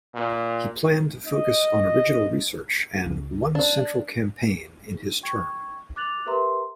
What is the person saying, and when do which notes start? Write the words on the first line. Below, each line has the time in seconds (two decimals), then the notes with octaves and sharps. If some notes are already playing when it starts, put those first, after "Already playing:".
He planned to focus on original research and "one central campaign" in his term.
0.15 A#2
1.27 D#5
3.06 C#2
3.55 D4
5.23 G5 C#6 G#6
5.96 D6 F#6 A6 F7 F#7
6.26 G4 A#4 B4 E5 A#5 C6